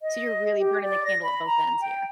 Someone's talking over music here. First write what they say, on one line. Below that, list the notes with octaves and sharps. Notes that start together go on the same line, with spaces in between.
so you're really burning the candle at both ends here.
D#5
G4
D5
A#6
B5
A#5
G5